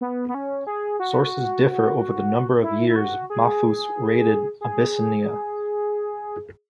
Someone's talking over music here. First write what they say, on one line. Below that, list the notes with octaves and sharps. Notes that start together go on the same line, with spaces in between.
Sources differ over the number of years Mahfuz raided Abyssinia.
B3
B3
C#4
G#4
F#4
E4
E4
F#4
G#4
G#4